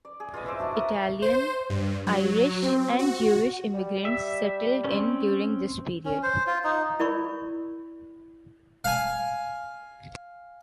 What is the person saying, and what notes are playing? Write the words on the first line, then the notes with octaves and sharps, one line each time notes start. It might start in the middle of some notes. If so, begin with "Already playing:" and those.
Italian, Irish and Jewish immigrants settled in during this period.
D5
G#4
F4 B4 D#5
E4 C5 D6 E6
D4 F#4 E5 A5
A#4 A5 D#6
C5
G2
F#3
C4
F#4
G3
E5
C4 C#4
C#4
C5
F4
D#4
E4 A#4 D5 B5 C#6
F5 G#5